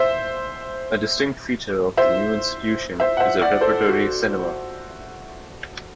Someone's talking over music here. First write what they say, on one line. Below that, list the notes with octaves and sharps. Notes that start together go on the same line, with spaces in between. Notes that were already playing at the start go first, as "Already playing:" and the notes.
A distinct feature of the new institution is the repertory cinema.
Already playing: C5 E5
C5 E5
C5 E5
F#5
C5 E5
D5 F#5
A4 C5
F#4